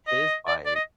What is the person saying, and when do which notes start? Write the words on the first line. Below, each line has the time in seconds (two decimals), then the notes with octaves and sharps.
his bike,
0.07 D#5
0.47 D5
0.66 D5
0.76 D#5